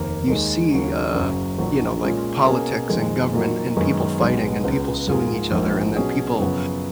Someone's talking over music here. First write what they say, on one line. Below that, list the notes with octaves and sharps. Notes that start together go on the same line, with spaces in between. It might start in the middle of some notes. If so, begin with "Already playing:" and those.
you see, uh, you know, like, politics and government and people fighting and people suing each other and then people,
Already playing: F1 D#2 D#3 A#3
D#2 D#3 G#3
D#2 C#3 F#3
F#1 F#2 C#3 F#3
B1 A#2 F#3
A#2 G#3 C#4 F4 G#4
B2 A#3 C#4 G#4
F2 D#3 G#3
A#2 F#3 A#3 D#4
F#2 D#3 G#3 B3
B1 B2 G#3 B3 D#4
C#2 C#3 G#3 B3
G#2 F3 A#3 F4 G#4
A#1 G#2 F3 A#3
B2 F#3 C#4 G#4
F#2 C#3 F3 B3